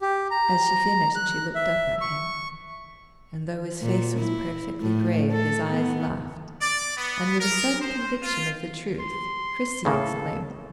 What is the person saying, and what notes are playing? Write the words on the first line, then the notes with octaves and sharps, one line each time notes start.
As she finished she looked up at him; and, though his face was perfectly grave, his eyes laughed, and with a sudden conviction of the truth, Christie exclaimed!
G4
A#5
F#6
E5
C#6
A#2
E4
A2
A4
B3
D5
B3
A#4
C5
F4
C6
A2 C#3 A#3 A4